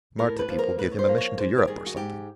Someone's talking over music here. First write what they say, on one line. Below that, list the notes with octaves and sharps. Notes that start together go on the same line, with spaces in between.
Marta people give him a mission to Europe, or something?
A2 A#4
B4
F3 A#3
A#4
A2 B4
C#5
C5
F3 A#3
C#5
G#2 C5
G4
D#3 G3 G#4
F#4
G#2 G4